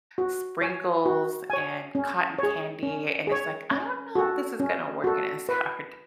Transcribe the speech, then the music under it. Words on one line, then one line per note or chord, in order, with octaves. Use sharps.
sprinkles, and cotton candy, and it's like, "I don't know if this is gonna work in a sourdough.“
F#4
C#5 G#5
F#4
C#5 G#5
C#4
G#4 C#5
C#4
G#4 C#5
C#4
F#4 A4
C#4
F#4 A4
B4